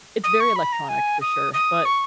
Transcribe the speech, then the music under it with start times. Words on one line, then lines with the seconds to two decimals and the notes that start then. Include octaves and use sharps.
it's very electronic for sure, but
0.24 D#6
0.40 C#6
0.56 B5
0.73 A#5
0.89 G#5
1.21 D#6
1.54 D#6
1.85 C#6